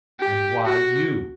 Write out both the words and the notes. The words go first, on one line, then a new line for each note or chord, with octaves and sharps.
"And why YOU?"
G4
F#4